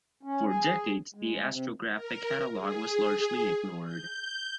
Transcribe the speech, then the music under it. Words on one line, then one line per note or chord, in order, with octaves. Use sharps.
For decades the Astrographic Catalogue was largely ignored.
C#4
G#4
G#3
C3
A#4
G#4
G6